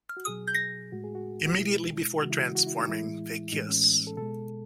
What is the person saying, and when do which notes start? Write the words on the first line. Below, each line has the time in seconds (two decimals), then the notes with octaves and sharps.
Immediately before transforming, they kiss.
0.17 F#4
0.27 B2 F#3 G#4
0.92 A2 G#3 F#4
1.04 G#4
1.15 F#4
1.46 F#4
1.57 B2 G#3 E4
2.23 C#3 E3 G#3 F#4
2.30 E4
2.38 F#4
2.55 F#4
2.67 E4
2.78 D#4
2.88 A2 E3 G#3 E4
3.53 A2 E3 G#3 D#4
3.69 C#4
4.07 A4
4.17 B2 G#3 A4